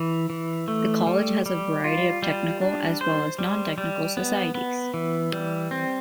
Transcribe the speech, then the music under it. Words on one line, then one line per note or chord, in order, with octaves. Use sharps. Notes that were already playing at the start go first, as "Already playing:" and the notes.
The college has a variety of Technical as well as nontechnical societies.
Already playing: E3
E3
A3
G3
G3
F4
G3
D4
C5
G3
G3
B3
B3
E3
G3
C4